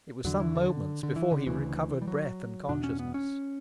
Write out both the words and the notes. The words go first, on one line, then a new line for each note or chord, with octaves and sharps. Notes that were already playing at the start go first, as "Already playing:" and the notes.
It was some moments before he recovered breath and consciousness.
E2 D3 F#3
E3
D3
D3
E3
D3
D2 C#3 E3
G3
F#3
E2 B2 D4
C#4
B3
C#4